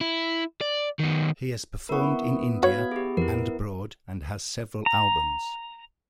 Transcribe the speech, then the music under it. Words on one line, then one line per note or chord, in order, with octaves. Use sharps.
He has performed in India and abroad and has several albums.
E4
D5
D#3 B3
B3 E4 A#4 C#6
B3 F#4 C#5 F5 G#6
G4 G#4
F2 E4 A#4
A#5